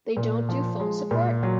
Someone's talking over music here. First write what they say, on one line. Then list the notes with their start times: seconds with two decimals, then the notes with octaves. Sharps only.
They don't do phone support?
0.17 A#2
0.49 F3
0.80 G#3
1.11 A#2
1.43 F#3